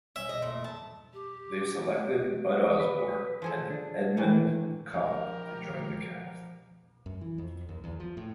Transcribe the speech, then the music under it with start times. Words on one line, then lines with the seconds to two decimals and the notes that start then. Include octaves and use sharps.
They selected Bud Osborne and Edmund Cobb to join the cast.
0.16 C#4 E5
0.29 D#5
0.42 A#2 A3
0.64 A5
1.13 G4
2.80 B4
3.42 F3 G#4 A4
3.70 D4
4.17 A2 D#3 E3
4.93 F3 D4 G4 A#4
7.06 F#2
7.21 E3
7.38 F2
7.69 D#2
7.84 E2
8.00 F3
8.17 A2